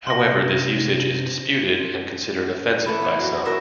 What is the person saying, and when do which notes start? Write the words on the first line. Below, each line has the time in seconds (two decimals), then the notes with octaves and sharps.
However, this usage is disputed and considered offensive by some.
0.07 C3 C6 A#6
2.86 E3 A3 E4
3.02 B3 C5
3.19 F#3
3.45 D#4 F#4 A#4 E5